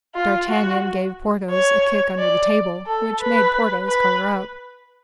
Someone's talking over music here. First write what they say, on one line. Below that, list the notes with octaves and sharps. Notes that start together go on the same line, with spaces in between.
D'Artagnan gave Porthos a kick under the table, which made Porthos color up.
F4
F#4
C#5
D5
A4
B4
B4